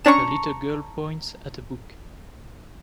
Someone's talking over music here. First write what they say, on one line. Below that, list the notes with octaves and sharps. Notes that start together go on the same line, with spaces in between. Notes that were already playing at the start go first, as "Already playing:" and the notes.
A little girl points at a book.
C#4 D4 A5 A#5 C#6 E7